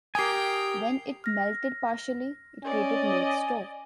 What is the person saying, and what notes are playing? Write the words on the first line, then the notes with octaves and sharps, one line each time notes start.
When it melted partially, it created Lake Stowe.
G4 A#4 G5 G#5 D#6 G#6 C7
F6 A#6
C#4 D5 D#5 G#5